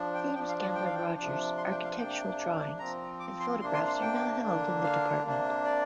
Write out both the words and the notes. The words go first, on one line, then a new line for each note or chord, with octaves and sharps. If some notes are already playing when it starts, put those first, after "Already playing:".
James Gamble Rogers' architectural drawings and photographs are now held in the Dept.
Already playing: F3 D4
G5
F3 D4 G5
F5
D5
G5
F5
G5
C3 F3 D4
C6
G5
F5
C3 A#3 D4 G5
F3 C4 A#5
D6
C6
C3 A#3 D4 C6
C6
C6
G5
D3 A#3 D4
F5
C3 A#3 D4
D5